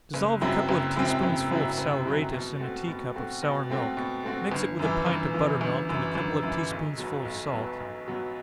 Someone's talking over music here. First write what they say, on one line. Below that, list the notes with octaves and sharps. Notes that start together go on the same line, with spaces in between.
Dissolve a couple of tea-spoonsful of saleratus in a tea-cup of sour milk--mix it with a pint of butter-milk, and a couple of tea-spoonsful of salt.
F#1
F#2 F#3 C4 E4
F#1
F#2 F#3 C4 E4
F#1
F#2 F#3 C4 E4
F#1
F#2 F#3 C4 E4
B2
A3 C4 F#4
B2
A3 C4 F#4
B2
A3 C4 F#4
B2
A3 C4 F#4
G1
F#2 E3
G1
F#2 E3
G1
F#2 E3
G1
F#2
E3
B1
B2 F#3 B3
B1
B2 F#3 B3
B1
B2 F#3 B3